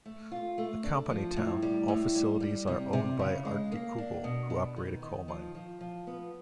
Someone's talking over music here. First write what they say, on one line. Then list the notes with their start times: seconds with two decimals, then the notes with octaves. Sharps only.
A company town, all facilities are owned by Arktikugol, who operate a coal mine.
0.05 A3
0.32 F4
0.58 A3
0.84 D4
1.10 F3
1.36 A2
1.62 G3
1.88 A2
2.15 G3
2.40 G3
2.67 C3
2.93 C3
3.19 C#3
3.45 G#3
3.72 A#3
3.98 D4
4.24 B2
4.50 B2
4.76 D#3
5.02 D#3
5.28 F3
5.55 F3
5.81 F3
6.07 B3